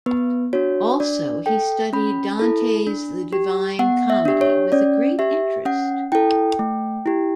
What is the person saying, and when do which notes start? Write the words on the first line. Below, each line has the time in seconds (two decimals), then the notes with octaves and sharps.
Also he studied Dante's "The Divine Comedy" with a great interest.
0.06 B3 B4
0.53 D4 F#4 C#5
1.00 D4 D5
1.46 A4 G5
1.93 C#4 B5
2.40 E4 A4
2.87 D4
3.33 G4
3.79 B3 F#5
4.10 E5
4.25 D4 G4
4.41 C#5
4.72 C#4 D5
5.19 G4 E5
5.65 C#4 F#5
6.12 E4 A4 G5
6.59 A3
7.06 E4 G4